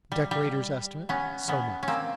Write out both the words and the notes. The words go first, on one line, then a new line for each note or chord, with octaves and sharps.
Decorator's estimate, so much.
G3
G3
B3 C#4
B3 C#4
C#4
A#3 C4